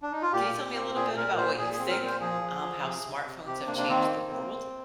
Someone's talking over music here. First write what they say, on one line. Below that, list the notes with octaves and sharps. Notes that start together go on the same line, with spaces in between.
Can you tell me a little bit about what you think, um, how smartphones have changed the world?
D4
D#4
F4
A#2 G4
A#2
C4
A#2 G#4
A#2 A#4
A#2 C5
A#2 G#4
G#4
C4
A#4
A#2
C5
F3 G#4
F3
F3
C3
C3
C3
C3 G4
A#3 D4
D4
D#3 C4
A#3
C3
C3